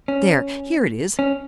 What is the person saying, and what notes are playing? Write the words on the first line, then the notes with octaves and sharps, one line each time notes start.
There, here it is.
C#4
C#4